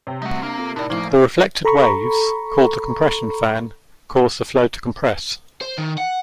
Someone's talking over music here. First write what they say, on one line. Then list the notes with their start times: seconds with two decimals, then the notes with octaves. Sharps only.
The reflected waves, called the compression fan, cause the flow to compress.
0.07 C3 C#5 G5
0.22 G3 A3 C4 D#4 F#4 E5
0.43 A#3 D4
0.58 C4 F4 A4
0.76 A2 D#4 E4 A#4 D5
0.90 A1 A2 F3 A#3
1.65 A4 A#5 B5 C#6
5.61 C5
5.78 D#3
5.98 F#5